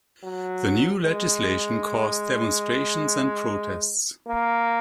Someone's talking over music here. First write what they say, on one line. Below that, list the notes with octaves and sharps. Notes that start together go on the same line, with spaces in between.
The new legislation caused demonstrations and protests.
F#3
G#3
A#3